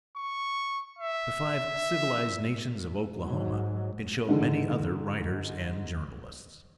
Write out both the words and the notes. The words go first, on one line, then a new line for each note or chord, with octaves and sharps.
The Five Civilized Nations of Oklahoma can show many other writers and journalists.
C#6
E5
G#2 F#3
G#2 D3 E3